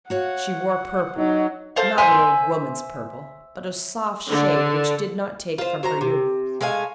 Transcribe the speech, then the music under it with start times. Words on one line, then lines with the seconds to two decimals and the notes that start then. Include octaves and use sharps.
She wore purple; not an old woman's purple, but a soft shade which did not take from her youth.
0.10 F#4 C#5 F5 F#5
1.17 F#3 D#4 D#5
1.76 A4 C5 F5
1.98 C5 E5 G#5 C6
4.30 D3
5.58 F4 C5
5.83 F#3 C5 A#5
6.01 C3
6.61 G#3 A3 F5 G#5